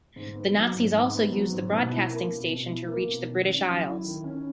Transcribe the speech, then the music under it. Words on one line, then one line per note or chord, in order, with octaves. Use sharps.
The Nazis also used the broadcasting station to reach the British Isles.
G#2
B3
F#3
G#2
G#2
B3
F#3
G#2
B2
E4
A#3
B2
B2
E4
A#3
B2
D#3
C#4
F#3
E4
D#3
C#4